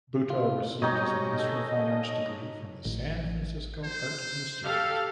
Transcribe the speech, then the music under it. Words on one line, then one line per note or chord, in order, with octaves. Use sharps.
Bhutto received his Master of Fine Arts degree from the San Francisco Art Institute.
F4
B2 G3 C#4 D#4 G4 C#5 D#5
A4
A1
C5
G4 A4 F5